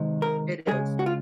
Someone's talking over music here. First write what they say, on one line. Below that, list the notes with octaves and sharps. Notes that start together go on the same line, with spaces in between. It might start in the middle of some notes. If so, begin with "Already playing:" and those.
It is.
Already playing: C3 D#3 G#3
A#4
C#3 G#3 G#4
F#4
F4